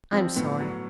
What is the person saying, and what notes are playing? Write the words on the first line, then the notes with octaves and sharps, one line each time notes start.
I'm sorry.
F3 C4
A2 B3
F#3